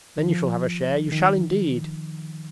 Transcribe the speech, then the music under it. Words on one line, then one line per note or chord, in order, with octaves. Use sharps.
Then you shall have a share, you shall indeed!'
D#3
F3
D#3